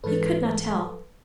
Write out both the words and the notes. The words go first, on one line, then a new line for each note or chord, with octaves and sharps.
He could not tell.
G#2 E3 G#3 A4 B4